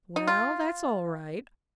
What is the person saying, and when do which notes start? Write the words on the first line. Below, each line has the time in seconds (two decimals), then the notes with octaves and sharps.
Well, that's all right.
0.16 D#4
0.27 F4